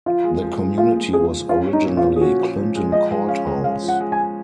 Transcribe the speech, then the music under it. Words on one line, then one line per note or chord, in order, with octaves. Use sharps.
The community was originally Clinton Courthouse.
F3 F4
G#3
F3
G#3
G#3 F4
G#3
F3 G#4
G#3
C#4 F4
C#4
D#4
A#2
F4
F3
G#4
C#4 F#4
F3
F3
G#3
F3 D#5
G#3
C#4 F5
G#3
G#3 F5
F3
F#5
G#3
G#5
G#3